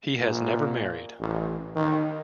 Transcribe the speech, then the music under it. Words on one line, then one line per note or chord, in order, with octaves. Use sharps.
He was never married.
A#2
A1
D#3